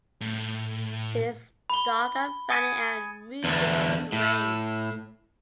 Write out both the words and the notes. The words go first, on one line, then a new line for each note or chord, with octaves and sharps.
It is dark and funny and moving and strange.
A2
B5 G7
G#5 D#6 G#6 A6 C#7 D#7
E2 D3
A2